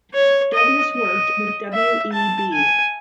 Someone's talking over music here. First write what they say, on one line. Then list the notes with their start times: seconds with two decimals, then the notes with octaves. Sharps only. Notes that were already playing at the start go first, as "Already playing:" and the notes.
Douglas worked with W. E. B.
0.14 C#5
0.54 D#5
0.94 D#5
1.73 E5
2.12 A5
2.53 G#5